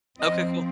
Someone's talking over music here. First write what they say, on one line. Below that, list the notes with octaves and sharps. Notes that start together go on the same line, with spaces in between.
Okay. Cool.
F3 C4 D#5